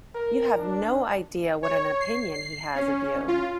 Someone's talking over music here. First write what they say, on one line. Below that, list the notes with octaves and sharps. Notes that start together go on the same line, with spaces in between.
You have no idea what an opinion he has of you!
A#4
D4
C#5
C7
C7
C#4
F4